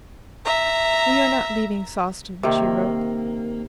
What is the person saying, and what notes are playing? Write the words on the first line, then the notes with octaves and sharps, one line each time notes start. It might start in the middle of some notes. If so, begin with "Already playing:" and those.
"We are not leaving Sawston," she wrote.
E5 A#5
C3 D#3 A#3